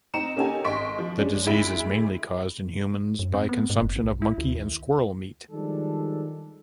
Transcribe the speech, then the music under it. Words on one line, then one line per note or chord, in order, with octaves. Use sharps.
The disease is mainly caused in humans by consumption of monkey and squirrel meat.
C4 D#4 A#5 C#7 E7
A#3 C#4 D#4 G4 A4 G#5
G#1 D#5 C6 C#6 B6 D7
F3
G#3 C#4 D4
D2 G#3 E4 B5 B6 D7
F#2
C4
B3
G#2
F#1
B1
E4
D2
D#2
D#3 F3 G3 G#3 D4 A4